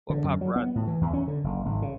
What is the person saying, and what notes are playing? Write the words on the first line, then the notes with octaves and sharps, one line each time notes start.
Or Paparazzi?
D3
F#2
F#3
B3
A2
E3
E2
C#4
D3
F#1
G#1
C#3